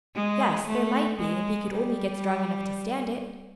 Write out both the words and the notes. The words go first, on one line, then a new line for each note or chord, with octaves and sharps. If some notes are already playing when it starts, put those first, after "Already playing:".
Yes, there might be, if he could only get strong enough to stand it.
G#3
A3
G#3
G3